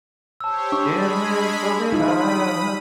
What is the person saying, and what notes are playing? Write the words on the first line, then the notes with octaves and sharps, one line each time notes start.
in this fucking life,
G4 C5 C#5 A5 E6
G#3 D4 G#4 B5 C#6 E6
D#4 F4 B5 D#6